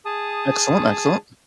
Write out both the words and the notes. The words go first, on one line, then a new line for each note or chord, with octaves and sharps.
Excellent, excellent.
G#4 A5 D#6